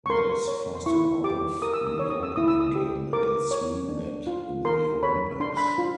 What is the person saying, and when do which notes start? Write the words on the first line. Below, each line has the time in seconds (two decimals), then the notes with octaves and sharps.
This forced him out of the opening game against Sweden at the Olympics.
0.06 C#6
0.10 A#4 C6
0.48 C#5
0.75 C6
0.86 E4 C#6
1.24 G4 D6
1.62 A#4 D#6
1.74 E6
1.87 D#6
1.98 C#5 E6
2.10 D#6
2.23 E6
2.36 E4 D#6
2.48 E6
2.60 D#6
2.76 G4
3.13 A#4 D6
3.51 C#5
3.89 D4
4.27 F4
4.65 A#4 C6
5.03 C#5 B5
5.40 D4 C6
5.57 B5
5.66 C6
5.78 F4